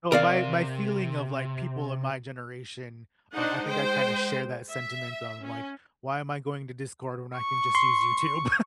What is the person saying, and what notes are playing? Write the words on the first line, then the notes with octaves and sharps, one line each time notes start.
so, my my feeling of, like, people in my generation, um, I think I kinda share that sentiment on, like, "Why am I going to Discord when I can just use YouTube?"
C3 A#4 D5 F5
D4 D#4 C5 F#5
G#3 C5 G5
E5
C#4
C#6
C6